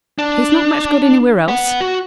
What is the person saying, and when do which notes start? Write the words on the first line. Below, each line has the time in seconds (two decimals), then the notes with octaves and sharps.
He's not much good anywhere else.
0.18 D4
1.48 B3 F#5
1.81 F#4